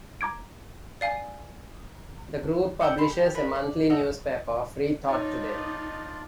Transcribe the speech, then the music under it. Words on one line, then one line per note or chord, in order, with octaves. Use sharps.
The group publishes a monthly newspaper, "Freethought Today".
A#5 D6 G#6 D7
D5 F5 G#5
F#5 G5 C#6 E6
A5 B5 C6
G4
A#4 B4 B5
D5
D#4 F#4 A4 C#5
D4 D#4 F4 C#5 D5